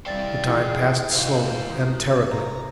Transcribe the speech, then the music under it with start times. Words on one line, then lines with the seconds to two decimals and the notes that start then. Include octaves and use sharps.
The time passed slowly and terribly.
0.06 C2 C5 D5 F5 G5 A6 E7
0.48 C#3 E3 C#4 E4 G#4
1.12 G#2 C3 F#4 B4 C5 F5
1.69 C3 A#4 D#6
2.31 C3 A#5